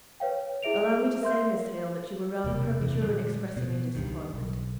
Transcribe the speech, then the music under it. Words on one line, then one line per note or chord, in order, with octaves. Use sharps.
'Allow me to say, Miss Hale, that you were rather premature in expressing your disappointment.
B4 C#5 F5 G5
E4 G#4 E5 D7 F7
A#4 E5 C6 G6
E1 C3 A#3
F2 C3 E3
A#2 D3 G3 G#3
B2
C#2 G2 D#3
B1